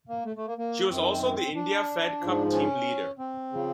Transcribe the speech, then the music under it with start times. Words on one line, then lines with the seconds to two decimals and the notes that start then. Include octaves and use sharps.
She was also the India Fed Cup Team leader.
0.09 A#3
0.25 A3
0.36 A3
0.47 A#3
0.58 A#3
0.90 F#2 D#3 C4
1.55 D4
2.21 G#2 F3
2.53 C#4
3.19 C4
3.52 C#3 F3